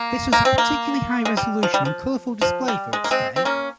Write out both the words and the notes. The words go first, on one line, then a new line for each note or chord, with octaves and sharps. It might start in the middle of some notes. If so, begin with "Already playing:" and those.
This was a particularly high-resolution and colorful display for its day.
Already playing: A#3
A#3
C4
A#3
G#3
G3
F3
G3
F3
F3
G3
G#3
A#3
G#3 C4
C4
A#3 C#4